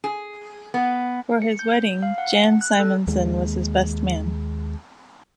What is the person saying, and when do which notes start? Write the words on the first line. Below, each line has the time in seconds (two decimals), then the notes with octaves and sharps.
For his wedding, Jan Simonsen was his best man.
0.04 G#4
0.74 B3
1.42 C#7
1.59 G6
2.03 F5
2.18 F#5
2.61 F#6
2.79 A4
3.07 D#2 G#3